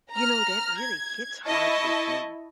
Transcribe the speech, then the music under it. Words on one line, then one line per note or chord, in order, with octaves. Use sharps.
you know, that really hits hard with me.
A#5 F6
G#6
E4 D#5 A5 C#6